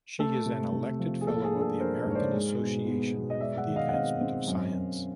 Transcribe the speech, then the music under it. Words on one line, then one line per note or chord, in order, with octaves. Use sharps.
She is an elected fellow of the American Association for the Advancement of Science.
A3 A4
C3
C3
F3
G#4
A#3 A4
G#4
D4
A4
D4 A#4 C5
G#2 C#5
C5 D5
G#3
B2
B3
B2
D#5
G#3 D5 E5
E5 F#5
D#3
D#5 F5
F#5
C4 D#5 F5
C4
F#2
F#2